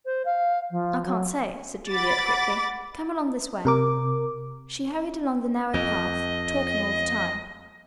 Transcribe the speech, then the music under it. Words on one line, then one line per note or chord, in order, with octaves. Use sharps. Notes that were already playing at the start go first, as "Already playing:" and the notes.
"I can't say," said Juliet quickly; "come along this way." She hurried along the narrow path, talking all the time.
C5
F5
F3
F#3
F#5 B5 D6 A6
C3 A#4 D6
F2 D#5